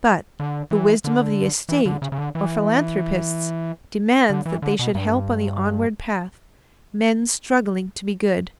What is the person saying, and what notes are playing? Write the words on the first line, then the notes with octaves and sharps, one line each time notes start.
But the wisdom of the Estate or philanthropists demands that they should help on the onward path, men struggling to be good.
D3
E3
D3
E3
D3
C#3
C#3
D3
E3
D3
E3
D3
B2
G2